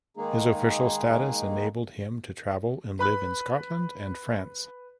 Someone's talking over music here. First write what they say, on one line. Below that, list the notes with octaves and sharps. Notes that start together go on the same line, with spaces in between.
His official status enabled him to travel and live in Scotland and France.
D#3 G#3 A#3 D#4 G#4
B4 B5 F#6